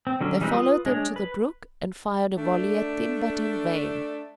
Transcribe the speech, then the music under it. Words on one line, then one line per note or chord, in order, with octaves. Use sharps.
They followed them to the brook, and fired a volley at them, but in vain.
C4
D3 F#3 C#4
E3 G3 G#3 C4 D#4
F4 B4 D#6
G#3 D4 C#5
B4
A3 D4